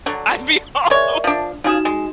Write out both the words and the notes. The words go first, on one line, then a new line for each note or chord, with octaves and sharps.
I'd be all over
D3 F#3
G#3 A#4 C#5 D5 E5
F3 D4
C#3 F3 D#4 F#4 G#4 E7
G#3